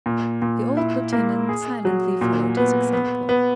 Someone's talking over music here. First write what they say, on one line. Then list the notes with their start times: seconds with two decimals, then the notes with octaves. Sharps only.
The old lieutenant silently followed his example.
0.06 A#2
0.42 A#2
0.77 E4
1.13 A#3
1.49 G#4
1.85 F#3
2.21 A#2
2.57 B3
2.93 B3
3.29 B3